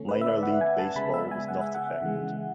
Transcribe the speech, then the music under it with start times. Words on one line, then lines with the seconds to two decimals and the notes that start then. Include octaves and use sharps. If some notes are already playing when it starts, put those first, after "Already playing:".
Minor League Baseball was not affected.
Already playing: D3 A3 C#4
0.09 B4
0.21 E5
0.26 D5
0.43 F#5
0.61 G#5
0.79 A5
0.95 C#3 G#3 B3 B5
1.14 E5
1.31 G#5
1.48 F#5
1.61 E5
1.75 F#5
2.02 C#3 E3 G#3